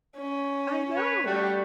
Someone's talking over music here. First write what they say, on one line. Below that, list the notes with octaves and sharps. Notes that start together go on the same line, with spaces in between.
I know.
C#4
B4 C#5
G3 A3 F#4